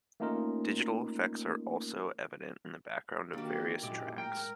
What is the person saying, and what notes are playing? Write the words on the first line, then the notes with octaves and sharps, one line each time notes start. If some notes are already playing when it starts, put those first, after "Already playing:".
Digital effects are also evident in the background of various tracks.
A3 A#3 C#4 D#4 F4 A#4
D#3 G3 A#3 D4 F#4 G4
F#2 A#2 F#3 G#3 E4 G4
A2 G#3 A#4 G5